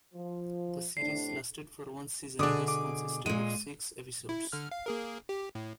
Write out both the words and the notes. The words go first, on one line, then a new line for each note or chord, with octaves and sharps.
The series lasted for one season which consisted of six episodes.
F3
A2 C3 D4 C7
B2 D3 D4 G#4 D6 D#6
D6
A#2 G#3 D#7
E4
D3 F6
F5
A#3 G#4 A#4
G4
A2